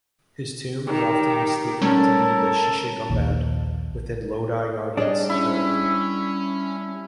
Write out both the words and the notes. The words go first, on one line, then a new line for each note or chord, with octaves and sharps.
His tomb is often mistaken to be the "Shisha Gumbad" within Lodi Gardens, Delhi.
D#3 G4
G3 A3 C#4 A4 A#4 C#5 A5
A#1 D#2
G3 D4 G#4 C#5 D#5
C#4 E4